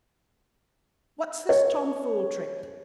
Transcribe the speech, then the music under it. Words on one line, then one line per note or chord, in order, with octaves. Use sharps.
What's this tomfool trick?
C#5